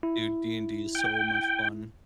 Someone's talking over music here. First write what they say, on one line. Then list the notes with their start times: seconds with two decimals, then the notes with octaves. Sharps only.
Dude, D&D is so much fun.
0.03 E4
0.95 G5